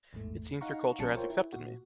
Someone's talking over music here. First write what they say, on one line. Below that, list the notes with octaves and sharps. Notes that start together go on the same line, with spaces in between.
It seems your culture has accepted me.
A1 E2 G#2 A3
D#4 F5 F#5 A#5 C#6
A#1 B2 G3 C#4 A5 C#7
F4 A#4 C5 C#5 G5
E4
A#2 F#4